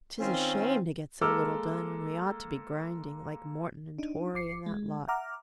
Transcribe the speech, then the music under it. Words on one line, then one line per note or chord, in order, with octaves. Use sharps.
'Tis a shame to get so little done, when we ought to be grinding like Morton and Torry and that lot.
D#3 C4 C#4 F4
G#3 A#3 A4 D6 E6 F6
D4 D#4
G1 D6 C7 C#7
G#3
E5 F#5 A#5 D6 F6